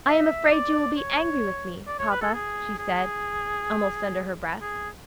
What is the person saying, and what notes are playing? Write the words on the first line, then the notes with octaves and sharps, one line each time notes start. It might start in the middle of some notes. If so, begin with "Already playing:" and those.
"I am afraid you will be angry with me, papa," she said, almost under her breath.
E5
D5
C#5
D5
C#5
B4
A4
G#4
G#4
G#4